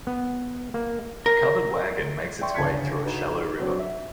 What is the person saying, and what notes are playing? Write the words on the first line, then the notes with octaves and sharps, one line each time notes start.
A covered wagon makes its way through a shallow river.
B3
A#3
A#4
D5 E5 G5 C6 C#6
G1 C#3 A5 G#6 B6 C#7
D#4 F#4 B4
F#3 C4 D4 F#4
E5